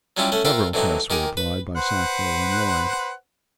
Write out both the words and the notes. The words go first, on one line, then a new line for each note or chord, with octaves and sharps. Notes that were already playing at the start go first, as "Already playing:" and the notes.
Several tests were applied by Sackville and Lloyd.
F#3 G3 C#4 E4 F4 G4
A3 C#4 F#5
F4 A#4 C5 E5 F#5 G5
D3 E3 F#3 C4 D#4
D#3 G4 A#4 F#5 G#5
B4
B4 C5 F#5